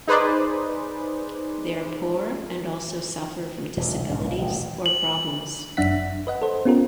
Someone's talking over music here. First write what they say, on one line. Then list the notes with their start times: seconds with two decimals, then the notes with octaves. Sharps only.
They are poor and also suffer from disabilities or problems.
0.07 D#4 G#4 B4 C5 D5
3.77 E1 G2
3.93 C2
4.10 B1 G#2 F3 C#4
4.22 B1 A#3
4.38 D#1 A1
4.86 F#7
5.77 G1 F#2 D4 E5 F#5 B6
6.27 B4 D#5 F#5
6.42 A4 C5
6.65 B3 C#4 F4 G4 A#4